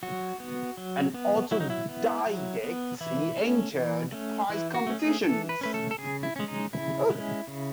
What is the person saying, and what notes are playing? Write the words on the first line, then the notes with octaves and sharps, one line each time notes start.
An autodidact, he entered prize competitions.
F#3 F#4
B3
F#3
B3
F#3 E4
D#4
E4
B3
F#3
B3
E3 E4
A3 C#4
E3
A3 C#4
E3 E4
F#4
A3 C#4
G#4
E3 A4
B4
A3 C#4 B4
A4
A4
C#3 G#4
E4
G#3 C#4
D#4
C#3 E4
G#3 C#4
C#3